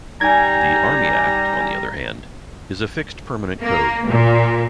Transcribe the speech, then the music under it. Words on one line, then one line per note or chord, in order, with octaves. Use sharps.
The Army Act, on the other hand, is a fixed permanent code.
G3 D#4 G#5 A#5 G#6
A#3
A#2